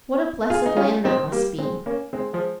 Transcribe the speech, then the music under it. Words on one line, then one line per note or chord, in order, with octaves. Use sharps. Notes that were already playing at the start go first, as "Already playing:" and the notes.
What a blessed land that must be!
F4 G#4
D#4
C#4 F4
C4 D#4
G3 A#3
G#3 C4
A#3 C#4
G#3 C4
F3 G#3